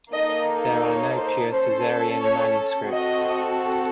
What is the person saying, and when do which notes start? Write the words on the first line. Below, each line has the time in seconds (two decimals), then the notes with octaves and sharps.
There are no pure Caesarean manuscripts.
0.13 A#3 D#4 A4 D#5
0.83 C#5
1.17 C5
1.52 C#4 A4 C5
2.22 C#5
2.91 C4 F#4 A4 D#5